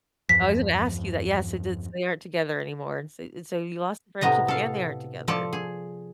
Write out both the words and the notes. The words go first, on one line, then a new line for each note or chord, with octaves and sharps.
I was gonna ask you that, yes. So did they aren't together anymore. And so and so you lost the friendship, and they aren't together.
E2 G2 F3 B6
A2 C3 B3 D#5 A#5
A4 F5
F3 A4 D5 A5
G#4